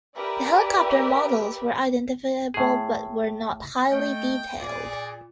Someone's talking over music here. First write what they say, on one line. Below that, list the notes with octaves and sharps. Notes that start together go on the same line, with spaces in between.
The helicopter models were identifiable but were not highly detailed.
G4 A#4 B4 D5 E5
A2 G#4
A3 D#5 G5
A#2 G#4 D5